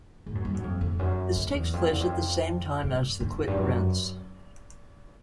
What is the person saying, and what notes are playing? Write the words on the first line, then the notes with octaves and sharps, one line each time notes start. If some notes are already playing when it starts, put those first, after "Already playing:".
This takes place at the same time as the Quit Rents.
G#2
F#2
G2
F#2
F2
F2
F#2
F2
E2
F2
E2
F2
G2
F2
G2
F#2